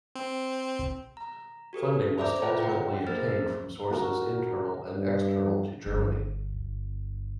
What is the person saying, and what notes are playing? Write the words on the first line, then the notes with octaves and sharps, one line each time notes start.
Funding was ultimately obtained from sources internal and external to Germany.
C4
A#5
F#4 G4 A4 B4
C5 D5 E5 A#5 D6 G6
E4 F4 B4 C#5 E5 A#5
F#5 G5
A#3 G#4 A#4 C5 F6 A6
F#4 A#4
G2
G1 G2